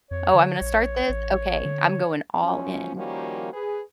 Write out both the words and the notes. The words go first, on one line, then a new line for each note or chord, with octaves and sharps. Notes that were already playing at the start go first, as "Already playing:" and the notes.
"Oh, I'm gonna start this? Okay. I'm going all in."
F2 C#5
D3
A#1
A1
D3
F3 F#3 C#4
D#3 F3 G3 A#3 C#4 F#4
G#4 B4